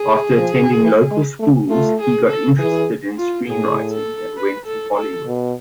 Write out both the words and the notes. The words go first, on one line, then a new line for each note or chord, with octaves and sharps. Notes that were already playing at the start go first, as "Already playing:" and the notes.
After attending local schools, he got interested in screenwriting and went to Hollywood.
Already playing: G#4
F3
E3
G#3
A3
A3 F4
G#4
A4
E3 G#4
F4
A2 G#4
A4
B4
A4
A4
B2